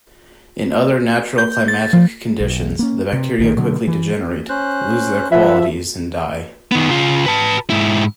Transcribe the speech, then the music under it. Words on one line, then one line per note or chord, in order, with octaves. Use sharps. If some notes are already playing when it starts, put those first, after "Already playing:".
In other natural climatic conditions the bacteria quickly degenerate, lose their qualities and die.
G6
A6
F3
B1
A#3 C#4
C3
A#1 A#2 D#3
B2 D3 F#3
E3
C#4 C5 F#6
F3 E5 F#5 B5
D#3 B3
C#3 F4
B4 A5
G#2 E4